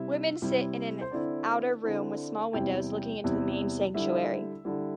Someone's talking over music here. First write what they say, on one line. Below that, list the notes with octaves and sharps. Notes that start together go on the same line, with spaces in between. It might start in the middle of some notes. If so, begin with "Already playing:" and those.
Women sit in an outer room with small windows looking into the main sanctuary.
Already playing: C3 G3 E4 E5
C3 G3 E4
C5
D3 C4 E4 D5
D3 C4 E4
E2 C3 G3 E4 G5
E2 C3 G3 E4
D3 G3 E4 E5
D3 G3 E4